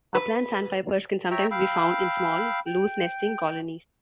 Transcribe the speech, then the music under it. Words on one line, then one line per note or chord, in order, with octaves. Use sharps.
Upland sandpipers can sometimes be found in small, loose nesting colonies.
B4
C#5 E5 G5 A#5
F5 G5 B5 E6
G5